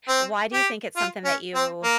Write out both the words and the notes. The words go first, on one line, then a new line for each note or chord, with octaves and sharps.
Why do you think it's something that you
C4
G4
F4
C#4
C4
A#3